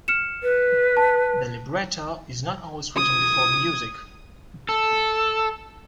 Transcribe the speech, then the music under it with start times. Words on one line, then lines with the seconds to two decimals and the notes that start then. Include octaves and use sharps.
The libretto is not always written before the music.
0.08 F6 C#7 E7
0.43 B4
0.97 A5
2.96 D#6 G#6
4.69 A4